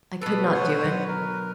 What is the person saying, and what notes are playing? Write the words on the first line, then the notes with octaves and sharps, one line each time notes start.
I could not do it.
B2 A4 B4
C5 C#5 F#5
F#3
A#4